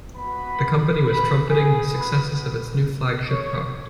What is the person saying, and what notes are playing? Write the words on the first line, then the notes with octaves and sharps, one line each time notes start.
The company was trumpeting the successes of its new flagship product.
B3 F#4 B4 B5
B4 B5
G#4 G#5
B3 F#4 B4 B5
C#5 C#6